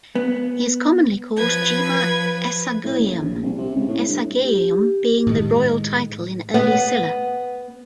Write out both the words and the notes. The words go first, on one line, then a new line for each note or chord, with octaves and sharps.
He is commonly called Jima Isageum, "isageum" being the royal title in early Silla.
B3
F3 B4 G#6
A2
F#1
A#1
C2
C3
C#2
A2
G2
G4
A2 D#3 G#3
B3